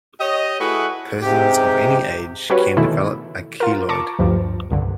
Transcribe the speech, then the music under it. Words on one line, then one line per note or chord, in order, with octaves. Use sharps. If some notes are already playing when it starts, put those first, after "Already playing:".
Persons of any age can develop a keloid.
G4 C#5 D#5
A3 E4 F#4 G#4 B4
G#2 C3 G4
G3 C#4 F#4 B4 C#5
B2 D#3 E3 A3 E4
F4 A#4
A5 A#5 C#6 D6
D2 G2 F3 G3
C2 G2 D3